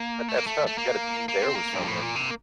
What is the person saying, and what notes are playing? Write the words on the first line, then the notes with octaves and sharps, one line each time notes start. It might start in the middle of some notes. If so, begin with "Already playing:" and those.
But that's tough, you gotta be there with someone.
Already playing: A#3
A3
A#3
A3
A3
A#3
A#3
C4
A#3
G2
A2
A#2
C3